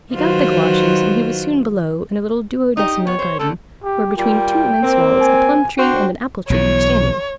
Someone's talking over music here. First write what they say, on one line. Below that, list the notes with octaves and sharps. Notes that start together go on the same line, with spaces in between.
He got the Galoshes, and he was soon below in a little duodecimo garden, where between two immense walls a plumtree and an apple-tree were standing.
D#3 F#3 F4 F#4 B4 C5
D#4 G4 D#5
B3 C#5
C5
D3 A3 A4
G4
G3 A#3 F4 G5
A#3 C4
G#5
D4 F#4 C5 G5
B1 B2 E3 C#5